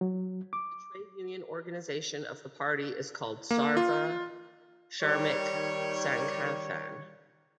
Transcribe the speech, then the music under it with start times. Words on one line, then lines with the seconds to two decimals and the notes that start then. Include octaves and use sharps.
The trade union organization of the party is called Sarva Shramik Sanghathan.
0.01 F#3
0.53 D6
3.51 A#3
3.77 F4
5.02 D#3 G3 C#5